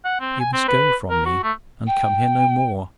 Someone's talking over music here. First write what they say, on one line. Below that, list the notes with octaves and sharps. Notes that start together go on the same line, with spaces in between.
You must go from me, and come here no more.
F#5
C4
G#5
C4
B4
A#4
F#4
A3
G5